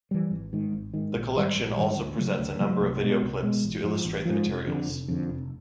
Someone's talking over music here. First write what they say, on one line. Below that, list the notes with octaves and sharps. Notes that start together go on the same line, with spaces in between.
The collection also presents a number of videoclips to illustrate the materials.
E3 G3
G#1
G#2 D#3
G#1
G#2 D#3
A#1
G#2 D#3 G3
A#1
G#2 D#3 G3
D2
C#3 F#3 A3
D2
C#3 F#3 A3
C2
B2 G#3
C2
B2 G#3
A1
G#2 F3
A1
G#2 F3
F1
F2 D3
F1
F2 D3
F1